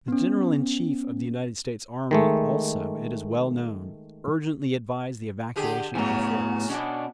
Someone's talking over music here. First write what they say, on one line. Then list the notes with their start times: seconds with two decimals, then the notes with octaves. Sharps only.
The General-in-Chief of the United States Army, also, it is well known, urgently advised the evacuation of the forts.
0.08 B3 C#4
2.11 D#3 G#3 A3
5.56 D3 G4 G#4
5.95 A2 C#3 F#3 B3 G#5 A#5
6.70 B2 C#4 D4 D5